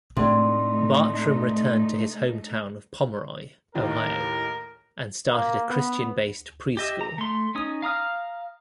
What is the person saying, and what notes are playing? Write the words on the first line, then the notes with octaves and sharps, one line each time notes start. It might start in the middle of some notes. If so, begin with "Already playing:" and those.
Bartrum returned to his home town of Pomeroy, Ohio and started a Christian-based pre-school.
A2 C3 G#3 A3 D4 D#4 D5 C6
D#2 A2 D#3 A#4
A#3
B3
G4 D#5 E5
A#5
A3 C6
C#4 D#4 D#6
F5 A#5 D#6 F6